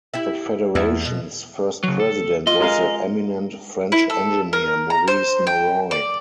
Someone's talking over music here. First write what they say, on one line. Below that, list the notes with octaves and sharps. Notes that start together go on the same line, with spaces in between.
The federation's first president was the eminent French engineer, Maurice Norroy.
E4 G4 E5
E2 E4
F#2 B2
C#3 F#3
A4
F4 D#5
G#3 A#4 F5
E4
A4
A#4
A#5
C5
G5
D5